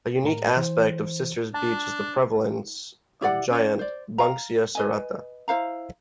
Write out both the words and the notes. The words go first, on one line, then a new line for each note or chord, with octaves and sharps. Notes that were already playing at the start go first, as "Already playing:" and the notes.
A unique aspect of Sisters Beach is the prevalence of giant Banksia serrata.
A2 A#4 A#5
E3 C5
D4 A5
E4 G4 D5 F#5
C#4 C#5 D5
C5 D5
F5 A#5
B4 D#5 G#5
E4 C5 F5 A#5